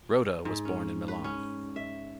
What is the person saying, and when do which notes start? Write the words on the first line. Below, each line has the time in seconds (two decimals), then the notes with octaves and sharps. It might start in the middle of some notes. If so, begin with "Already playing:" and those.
Rota was born in Milan.
0.45 G#2
0.65 C#4
1.08 B4
1.24 C#4
1.76 E5